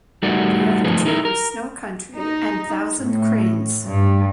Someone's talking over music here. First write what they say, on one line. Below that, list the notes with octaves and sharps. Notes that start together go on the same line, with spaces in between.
The other two were "Snow Country" and "Thousand Cranes".
G3 A3 D#4 F#4 A#4 D5
F3 A3 A#3 D#4 G#4 B4
D#4 E4 A#4
A#4
D#4
A2
G2